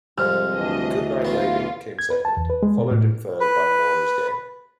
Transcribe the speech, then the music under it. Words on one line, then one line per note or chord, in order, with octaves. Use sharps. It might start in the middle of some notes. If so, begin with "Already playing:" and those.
"Goodnight Lady" came second, followed in third by "Maura's Game".
C2 F2 G#2 F6
D2 E3 D4 D#5
F#3 B3 F4
G#6
B4
A5
E2
B4
G#3
B2
A2
B4